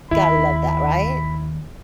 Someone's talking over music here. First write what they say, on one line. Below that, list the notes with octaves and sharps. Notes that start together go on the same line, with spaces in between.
Gotta love that, right?
D#2 E4 B5
B5